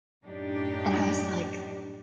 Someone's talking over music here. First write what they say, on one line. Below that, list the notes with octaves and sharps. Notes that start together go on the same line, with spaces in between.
and I was like
F#2 A2 D4 D#4 G4